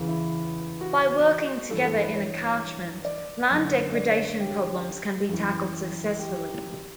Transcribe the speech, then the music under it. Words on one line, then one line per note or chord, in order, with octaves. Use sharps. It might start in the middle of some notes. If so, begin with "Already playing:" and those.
By working together in a catchment, land degradation problems can be tackled successfully.
Already playing: E2 C#3 E3
E4
F#4
G2 E3 A4
A4
B4
C#5
D5
F#2 D3
D5
C#5
C#5
G4
F#2 E3
G4